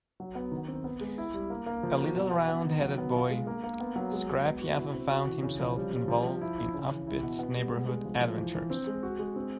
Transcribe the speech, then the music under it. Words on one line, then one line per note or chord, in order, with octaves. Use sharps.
A little round-headed boy, Scrappy often found himself involved in off-beat neighborhood adventures.
F#3
B3
D#3
C4
B3
G#3
E4
G3
A#3
A#3
F3
F#4
B2
B3
B3
D#3
F#3
B3
F4
G#3
A#3
A#3
B3
F#3
G#3
G#3
B3
F#4
E4
C4
F#4
E3
C#3
F3
G3
G3
F3
F3
E4
E4
C#3
E3
E4
B2
B3
G3
G#3
G#3
F3
F3
E3
E3
C4
G#3
F#4
G#3
C4